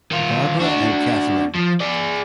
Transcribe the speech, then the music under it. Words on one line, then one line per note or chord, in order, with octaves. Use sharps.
Barbara and Catherine.
D#3 F4
D4 F#4
F3
G#4 D5